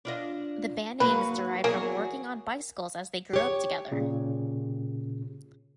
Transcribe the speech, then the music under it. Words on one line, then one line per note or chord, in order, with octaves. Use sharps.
The band name is derived from working on bicycles as they grew up together.
D4 F4 D#5
G#2 F#3 A#3 B4
E2 F#3 A#3 G#4
G4 C#5
A#2 C#3